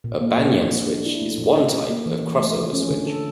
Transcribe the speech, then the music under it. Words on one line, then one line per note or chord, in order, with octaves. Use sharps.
A banyan switch is one type of cross-over switch.
A#2
A#3
A#2
D4
F3
D4
E4
A3
A#2
C#4
G4
A#3
E3
E3
A3
F3
C#4
D3
A4